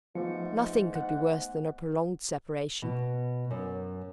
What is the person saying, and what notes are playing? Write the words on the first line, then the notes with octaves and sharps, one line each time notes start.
Nothing could be worse than a prolonged separation.
G#2 F3 A3 B3 C#7
F#5
B2
F#2